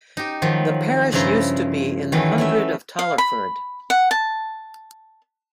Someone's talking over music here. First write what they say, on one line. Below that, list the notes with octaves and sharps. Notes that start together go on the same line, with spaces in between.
The parish used to be in the hundred of Tollerford.
D#4 G4
D#3 F3 F#3
G2 C#3 F3 E4 A#5 C6
D#3 E3 F#3 A3
A3 C#4 E5
F5
B5
F#5
A5